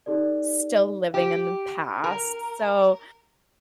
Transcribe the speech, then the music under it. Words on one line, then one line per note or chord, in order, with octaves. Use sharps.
still living in the past, so,
D#4 G4 A4 D5
G4
A#4